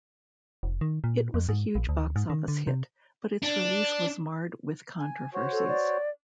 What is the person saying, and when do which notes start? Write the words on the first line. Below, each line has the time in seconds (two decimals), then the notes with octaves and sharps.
It was a huge box office hit, but its release was marred with controversies.
0.63 F1
0.81 D#3
1.04 A#2
1.34 F2
1.49 G#2
1.75 A#1
1.89 D2
2.16 G#2
2.30 D#3
2.48 D3
2.67 C3
3.42 D4
5.00 G#5
5.34 F#4 C5 C#5
5.52 A4
5.68 D5